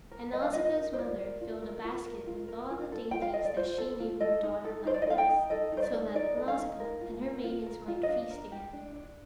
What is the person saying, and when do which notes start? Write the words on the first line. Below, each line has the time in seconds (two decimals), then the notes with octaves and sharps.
And Nausicaa's mother filled a basket with all the dainties that she knew her daughter liked best, so that Nausicaa and her maidens might feast together.
0.11 A#4
0.33 A#4 D#5
0.42 F5
0.53 F4 D#5
0.65 D#5
0.76 A#4
0.93 C5
0.98 F4 D5
1.19 A#4
1.41 F4
1.62 A#4
1.84 F4
2.06 A#4
2.27 F4
2.48 A#4
2.70 F4
2.92 A4
3.11 F4 G5
3.22 F5
3.33 A4 D#5
3.45 D5
3.57 F4 C5
3.78 A4
4.00 F4
4.20 A4 D#5
4.43 D#4
4.64 A4
4.85 D#4 C5
4.94 D5
5.02 D#5
5.07 A4 F5
5.18 G5
5.28 D#4
5.50 A4 D#5
5.72 D#4
5.77 C5
5.82 D5
5.93 A4
6.14 D#4 D5
6.37 A4
6.48 F5
6.58 D#4
6.80 A#4
7.01 F4
7.22 A#4
7.44 F4
7.66 A#4
7.88 F4
8.03 D#5
8.08 D4 F5
8.31 A#4
8.52 G4
8.73 D4
8.96 D4